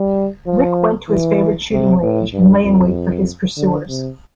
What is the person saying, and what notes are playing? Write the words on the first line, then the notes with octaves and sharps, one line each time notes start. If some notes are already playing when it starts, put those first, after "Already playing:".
Rick went to his favorite shooting range and lay in wait for his pursuers.
Already playing: G3
F3
E3
C3
A2
G2
F2
D3
C3